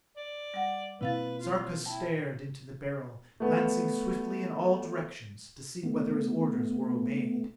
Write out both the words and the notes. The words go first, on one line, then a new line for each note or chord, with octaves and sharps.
Sarka stared into the Beryl, glancing swiftly in all directions, to see whether his orders were obeyed.
D5
G3 F#5
B2 A#3 C4 E4 B4 F5 A6
F4
E4 G5 A5
A3 B3
A3 B3